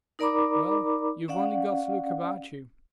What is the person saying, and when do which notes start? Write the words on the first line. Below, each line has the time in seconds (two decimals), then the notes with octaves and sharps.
Well, you've only got to look about you.
0.19 D#4 A#4 D5 A#5 B5 D6
1.28 C#4 D5 F5 F#5